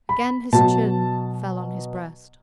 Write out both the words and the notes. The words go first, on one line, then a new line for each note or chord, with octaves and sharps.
Again his chin fell on his breast.
B5
B2 F#3 A5